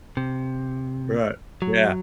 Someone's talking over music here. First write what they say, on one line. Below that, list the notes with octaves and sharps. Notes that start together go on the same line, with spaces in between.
Right, yeah.
C3
F#3